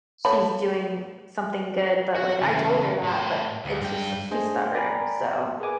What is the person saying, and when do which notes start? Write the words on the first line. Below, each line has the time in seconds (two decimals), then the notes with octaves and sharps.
she's doing something good, but, like, I told her that but, it's just she's stubborn, so
0.25 A3 C#5 B5
2.15 F#4
2.42 C#3 E3
3.03 A2 C5
3.65 D2
3.82 G2 G5
4.31 A3 D4 G#4 C5 D#5 G#5
4.74 A#4 D5 G5 G#5 A#5 B5
5.60 G#4 A#4 B4 G#5 D6